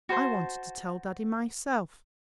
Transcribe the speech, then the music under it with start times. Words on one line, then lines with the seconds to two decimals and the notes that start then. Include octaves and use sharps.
I wanted to tell daddy myself.
0.09 F#4 C5 A5 C6